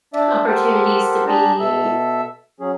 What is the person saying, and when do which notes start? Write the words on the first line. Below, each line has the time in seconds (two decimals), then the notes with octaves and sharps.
opportunities to be
0.14 D4 D5 E5
0.47 G4 A4 A#4 C5 F#5
1.26 D4 G4 G#4 A5 A#5
1.60 B2 A4 E5 E6
2.60 F#3 C#4 G#4